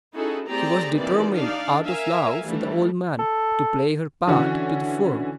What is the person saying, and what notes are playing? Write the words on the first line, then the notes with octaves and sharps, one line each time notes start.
She was determined, out of love for the old man, to play her part to the full.
C#4 D#4 E4 F#4 G#4 A4
A3 C4 G4 G#4 D5 A#5
D#3 E3 A#3 C4 G4 D5
D4 D#4 G4 D5 F5
A#4 E5 F5 G#5
E3 G3 A3 D4
A4
D3 E3 C#4 F#4